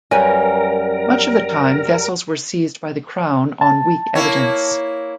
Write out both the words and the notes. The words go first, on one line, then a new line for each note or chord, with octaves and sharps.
Much of the time vessels were seized by the Crown on weak evidence.
F#2 G3 A#4 B4 G#5
A5
A#3 E4 C#5